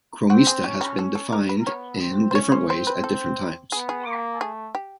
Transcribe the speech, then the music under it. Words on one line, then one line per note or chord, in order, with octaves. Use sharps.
Chromista has been defined in different ways at different times.
C4 F#4
G#4
C#4 G4
G4
C#4 A4
A4
A#4
B4
B3 C#5
C4
C5
C#4 C#5
C5
C4 C5
B4
A4
B3 G#4
G#4
A#3
A3 G#4
G4